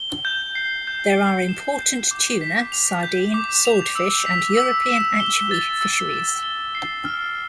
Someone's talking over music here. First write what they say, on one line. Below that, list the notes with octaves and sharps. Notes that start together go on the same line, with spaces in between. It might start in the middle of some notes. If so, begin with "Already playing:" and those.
There are important tuna, sardine, swordfish and European anchovy fisheries.
Already playing: G7
G6
C7
G6
C7
E7
G6
D6
B6
F7
G6
D6
F7
E6
B6
E6
E7
G7
A6
E6
E7
G7
C7
F6